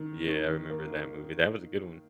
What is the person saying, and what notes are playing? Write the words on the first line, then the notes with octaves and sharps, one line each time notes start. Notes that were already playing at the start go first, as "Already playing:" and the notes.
Yeah, I remember that movie. That was a good one.
Already playing: D#3
D#3
A#3